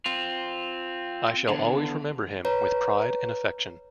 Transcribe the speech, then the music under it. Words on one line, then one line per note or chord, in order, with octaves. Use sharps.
I shall always remember him with pride and affection.
C4 F4
E2 D3
B4 C#5 A#5